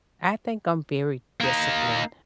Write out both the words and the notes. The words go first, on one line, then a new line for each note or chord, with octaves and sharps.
I think I'm very disciplined.
A#3 D#4